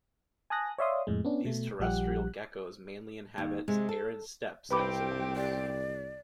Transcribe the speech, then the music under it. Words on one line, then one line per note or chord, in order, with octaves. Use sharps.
These terrestrial geckos mainly inhabit arid steppes and savannas.
G#5 A5 D#6 F#6 A#6
C#5 D5 E5 F5 C6 D#6
F2 A2 G#3
B3 C#4 D4
B2 A3
A#1 F3 G3 G4 F#5 F#6
D#2
C3 G#3
A4
C2 C4 G4 B4 B5 D6
D5